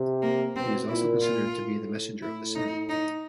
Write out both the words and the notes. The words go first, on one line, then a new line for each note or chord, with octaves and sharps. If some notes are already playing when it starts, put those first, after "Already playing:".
He is also considered to be the messenger of the Sun.
Already playing: C3
A#3
B2 C4
A#2 E4
F4
A2
A2 E4
D#4
D#4